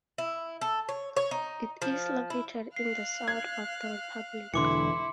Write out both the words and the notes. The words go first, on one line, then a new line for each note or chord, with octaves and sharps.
It is located in the south of the republic.
E4
A4
C#5
C#5
D#4
F3
E4
F5 F#6 C7
G#6
E1 D3 E3 E4 C6 D6 C#7